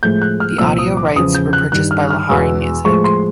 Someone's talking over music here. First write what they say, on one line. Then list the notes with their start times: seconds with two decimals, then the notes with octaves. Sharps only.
The audio rights were purchased by Lahari Music.
0.03 A2 F3 G#3 G6
0.22 F#6
0.40 F6
0.58 C2 A#2 F3 E6
0.79 D#6
0.97 D6
1.15 E2 C#3 F3 D#6
1.35 G6
1.53 F#6
1.72 G2 D#3 G3 F#6
1.91 F6
2.10 F6
2.29 E2 B2 G#3 E6
2.85 A2 F3 G#3 C#6
3.04 C6